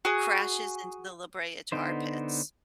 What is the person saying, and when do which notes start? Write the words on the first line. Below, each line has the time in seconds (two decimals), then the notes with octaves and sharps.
crashes into the La Brea Tar Pits.
0.05 F#4 G#4
1.72 D3 B3 D#4 C5